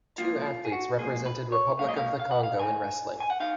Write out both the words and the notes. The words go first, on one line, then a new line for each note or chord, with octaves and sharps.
Two athletes represented Republic of the Congo in wrestling.
G#2 F3 A#3 F4
F4
G#4
F#4
G#2 F3 A#3 G#4
B4
C#5
G#2 D#3 F#3 A#3 F5
D#5
F5
F5
F#5
F5
G#2 D#3 G#5
G#5
F#5
B3 D#4 F5